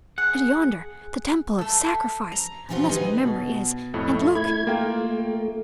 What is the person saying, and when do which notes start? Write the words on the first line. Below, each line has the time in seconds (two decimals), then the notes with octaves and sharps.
And, yonder, the temple of sacrifice, unless my memory is--and look!
0.18 G#4 F#5
1.58 A3 A4
2.32 A#5
2.69 A#2 E3 D4 F4 F#4 C5
2.89 D2 G3 D#4 B4 G#5
3.24 B2
3.94 F2 A2 A3
4.35 A3 E4 B5 G#6
4.67 A3 A#3 F4 G5